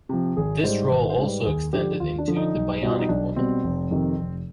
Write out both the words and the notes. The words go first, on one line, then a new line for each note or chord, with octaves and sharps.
This role also extended into "The Bionic Woman".
C3 F3
G#1 G#4
G#2 G3 C5
G#1 B4
C5
G#2 G3
B4
D#2 G#4
D3 F3 G4
D#2 F4
D4
D3 F3
D#4
B1
B2 G3
F4
D#4
B1 D4
B2 G3 C4
F1
F2 C3 D#3
F1